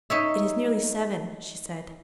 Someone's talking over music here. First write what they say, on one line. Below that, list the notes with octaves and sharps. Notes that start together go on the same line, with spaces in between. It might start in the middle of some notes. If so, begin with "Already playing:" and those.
'It is nearly seven,' she said.
D#4 C#5 E5